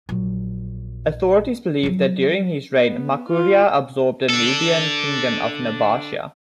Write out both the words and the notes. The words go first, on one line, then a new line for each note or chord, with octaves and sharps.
Authorities believe that during his reign Makuria absorbed the Nubian kingdom of Nobatia.
A#1 F#3
F3 F#3
B3
F4
D4 A4